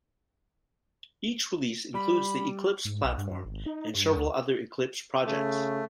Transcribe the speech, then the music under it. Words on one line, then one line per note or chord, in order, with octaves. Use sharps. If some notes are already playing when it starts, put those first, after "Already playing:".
Each release includes the Eclipse Platform and several other Eclipse projects.
G3 B5
G#2
B1
G2
F#2
G#1
D#4
G2
D2
C#3 A3